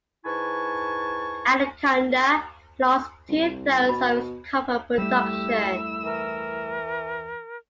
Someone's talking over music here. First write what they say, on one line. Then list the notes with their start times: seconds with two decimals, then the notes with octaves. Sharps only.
Anaconda lost two-thirds of its copper production.
0.24 G#2 E4 B4 G#5 A5 C#6
3.29 C2
3.89 B2 B5
4.98 G3 A3 E4 G4 E6
6.04 E3 A#4